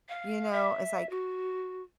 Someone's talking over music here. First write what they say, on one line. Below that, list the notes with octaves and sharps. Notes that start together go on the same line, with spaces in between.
you know, it's like
F5
E5
F#4